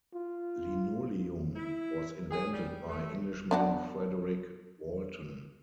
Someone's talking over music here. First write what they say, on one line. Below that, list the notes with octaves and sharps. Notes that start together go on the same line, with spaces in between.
Linoleum was invented by Englishman Frederick Walton.
F4
E4
G#4
G3
A3
B3 D4 F#4